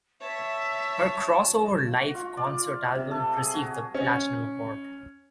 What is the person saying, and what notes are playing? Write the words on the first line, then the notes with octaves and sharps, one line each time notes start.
Her Crossover Live Concert album received the Platinum Award.
C#5 E5 A5
F#4
F4
D5
C3
A4
G#4
F#4
C#4